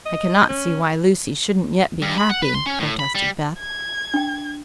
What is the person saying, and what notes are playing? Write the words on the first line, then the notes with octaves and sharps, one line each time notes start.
"I cannot see why Lucy shouldn't yet be happy," protested Beth.
D#5
C#4
G2
B5
F#5
B4
C6
C#4
A2
B5
G3
G#6
D4 G5